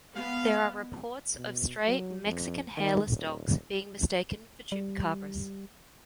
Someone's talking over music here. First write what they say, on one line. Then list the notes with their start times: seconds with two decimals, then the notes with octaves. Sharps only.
There are reports of stray Mexican Hairless Dogs being mistaken for chupacabras.
0.16 G#3 B3 F5
1.36 B2
1.87 F#3
2.26 F2
2.77 D#3
3.13 D#1
4.72 G3